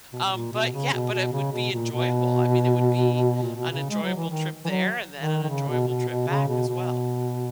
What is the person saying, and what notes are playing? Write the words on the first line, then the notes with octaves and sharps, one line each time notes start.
Um, but yeah, but it would be enjoyable. I mean, it would be an enjoyable trip there and then an enjoyable trip back as well.
B2
B2
A#2
B2
C#3
B2
B2
C#3
B2
A#2
B2
A#2
B2
C#3
G#3
F#3
E3
D#3
E3
F#3
D#3
D#3
C#3
B2
B2
B2
C#3
B2
B2